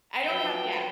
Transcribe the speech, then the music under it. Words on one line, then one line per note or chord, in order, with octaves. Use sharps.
I don't have yeah.
F3 F#3 B4 G5